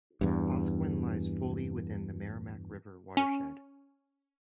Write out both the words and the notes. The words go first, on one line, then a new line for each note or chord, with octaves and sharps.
Boscawen lies fully within the Merrimack River watershed.
E2 G2
C#4